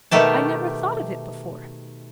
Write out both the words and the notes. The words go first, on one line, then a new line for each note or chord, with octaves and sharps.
I never thought of it before.
B2 D#3 A3 G4 A5